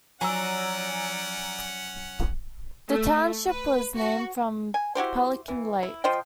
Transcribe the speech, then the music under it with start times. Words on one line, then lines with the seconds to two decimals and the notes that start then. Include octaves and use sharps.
This township was named from Pelican Lake.
0.21 F3 F#3 C#4 D5 F#5 G#5 A#5 E6
2.89 A3
3.48 B4
3.95 F#4
4.74 G#5
4.95 E4 F#4 G4 C5
5.48 E3
5.83 E4
6.04 F3 C5 D#5 G5